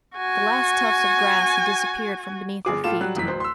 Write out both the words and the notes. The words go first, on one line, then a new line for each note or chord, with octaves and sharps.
The last tufts of grass had disappeared from beneath our feet.
F#4 G#5
G1 G#4 D6
A2 F4 A4 D6 E7
F#3 G3 F#6
F1 F#2 E3 B6
D1 C5
C6 E6